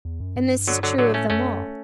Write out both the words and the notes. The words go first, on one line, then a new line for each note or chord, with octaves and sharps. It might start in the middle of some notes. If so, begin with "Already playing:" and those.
And this is true of them all.
E2
F#2
G2
D3 F#3
D3 F#3
A2 D3 F#3
A3 C#4
F#2 A3 C#4